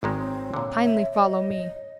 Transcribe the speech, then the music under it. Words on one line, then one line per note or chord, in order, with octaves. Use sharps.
"Kindly follow me."
G#1 D#3 G#3 C4
C#5
A#2 D3
E5
D#5